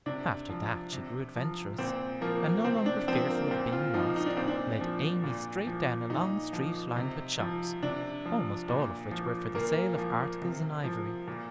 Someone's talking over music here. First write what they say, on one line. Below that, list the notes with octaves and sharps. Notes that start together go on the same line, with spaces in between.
After that she grew adventurous, and, no longer fearful of being lost, led Amy straight down a long street lined with shops, almost all of which were for the sale of articles in ivory.
C3 D4
F3
C3
F3
A#2 C4
F3 A#3
C3 C4
D4
F3 C4
A#3
A#2 C4
F4
F3 D#4
D#4
D4
A#2 C4
D4
F3
A#2
F3
A#2 D#4
F3
C3
F3
C3 D4
F3
A#2
F3
A#2 A#3
F3
C3
F3
A#2